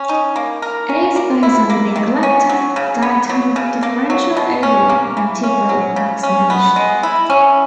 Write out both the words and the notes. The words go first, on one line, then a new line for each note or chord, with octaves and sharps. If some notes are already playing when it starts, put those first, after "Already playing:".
It is based on the Neglect of Diatomic Differential Overlap integral approximation.
Already playing: C#4
D#4
A#3
A#4
C#4
A#3
E4
A#3
D#3
C#4
F#3
C#3
B3
F#3
C#3
A#3
F#3
B2
C#4
A#3
E3
C#4
F#3
C#3
C#4
B3
G#3
E4
C#4